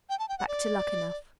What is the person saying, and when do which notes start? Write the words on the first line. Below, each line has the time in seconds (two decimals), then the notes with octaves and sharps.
"Back to Luckenough."
0.09 G5
0.19 A5
0.29 G5
0.39 F#5
0.48 D5